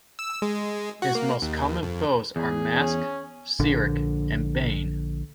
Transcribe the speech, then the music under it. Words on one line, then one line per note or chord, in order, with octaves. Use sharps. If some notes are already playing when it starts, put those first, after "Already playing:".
His most common foes are Mask, Cyric and Bane.
E6
G#3
F#4
A#3
D#2
F2
E2 G#4
C#4
A#1 D3